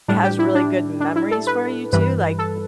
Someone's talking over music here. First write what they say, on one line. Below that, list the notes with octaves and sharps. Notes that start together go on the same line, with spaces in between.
has really good memories for you too, like,
A2 G3 D4
G4
E4
D4
D4
E4
A4
B4
G2 E3 G3 B4
A4